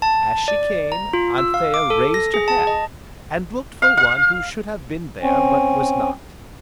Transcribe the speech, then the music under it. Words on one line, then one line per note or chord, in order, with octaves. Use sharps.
As she came, Anthea raised her head, and looked for one who should have been there, but was not.
A5
D5
A#5
F4
E6
F5
D6
A4
A#6
G#4
A5
D#5
F5
F5
C4 C#4